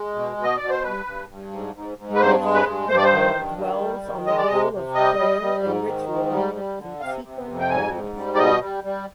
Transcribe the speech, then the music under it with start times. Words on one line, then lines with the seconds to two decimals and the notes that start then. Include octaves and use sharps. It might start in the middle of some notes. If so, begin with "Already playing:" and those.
Lurianic Kabbalah dwells on the role of prayer and ritual in "tikkun olam".
Already playing: G#3
0.15 B2
0.37 B2
0.43 D#5
0.57 B2 D5
0.70 C5
0.83 G2 B4
1.06 G2
1.29 G2
1.52 G#2
1.75 G#2
1.98 G#2
2.15 B4
2.21 G2 C5
2.43 G#3
2.55 B4
2.66 G2
2.89 G2 C5
2.97 D5
3.04 C5
3.12 D#3
3.35 G2
3.58 D#3
3.81 G3
4.04 D#3
4.26 G#3 D#5
4.37 D5
4.47 C3 D#5
4.73 C3
4.95 G3 D#5
5.18 G3
5.41 G3
5.63 G#2
5.86 D#3
6.09 G#2
6.32 G3
6.55 G3
6.78 D3
7.00 C3 F5
7.24 C3
7.47 F2
7.60 G5
7.69 G#2 G#5
7.93 G#2
8.16 G3
8.34 D5
8.38 B2 D#5
8.61 G3
8.84 G3